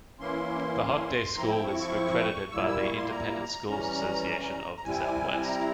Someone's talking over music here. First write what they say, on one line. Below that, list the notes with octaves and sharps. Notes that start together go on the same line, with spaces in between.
The Hockaday School is accredited by the Independent Schools Association of the Southwest.
E3 A#3 C#4 E4 C6
F3 C4 E4 A#5
G5
C#6
C#6
A#2 G3 A#3 E4 E6
E6
C#6
C6
A#5
E3 G3 C#4 A#5
A#5
C3 G3 C4 E4 G#5
A#5